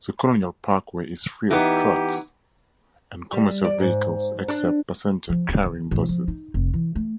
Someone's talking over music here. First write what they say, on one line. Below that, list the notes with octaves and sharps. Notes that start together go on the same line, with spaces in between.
The Colonial Parkway is free of trucks and commercial vehicles except passenger-carrying buses.
E3 B3 D#4 G4
G3
D5
G#2
D4
F3
D1
D#3
A1
F3
D#4
F1
E3
A3